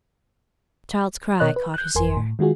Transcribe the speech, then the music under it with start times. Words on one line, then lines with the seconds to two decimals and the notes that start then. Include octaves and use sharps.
A child's cry caught his ear.
1.40 B2 A#4 C#5 D#5 F#6
1.56 B4
1.74 F#6 G6
1.95 G1 F2 A#4 G#5 C6
2.17 A2
2.39 D#3 G#3 F4 F#4 G#4